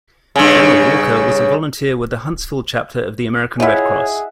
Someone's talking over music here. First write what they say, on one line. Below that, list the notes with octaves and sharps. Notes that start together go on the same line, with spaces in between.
General Walker was a volunteer with the Huntsville Chapter of the American Red Cross.
G2 C#3
E4 F4 G#4 C#5 D#5 E5 F#5